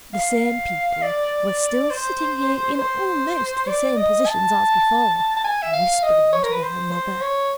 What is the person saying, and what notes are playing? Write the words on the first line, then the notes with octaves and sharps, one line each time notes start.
The same people were still sitting here in almost the same positions as before, whispering to one another.
F5
D5
C5
C5
D5
D#5
A5
A5
G#5
E5
F5
D#5
C#5
A#4
B4
C5
C5
C#5